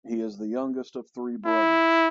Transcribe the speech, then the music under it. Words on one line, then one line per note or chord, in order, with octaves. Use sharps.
He is the youngest of three brothers.
E4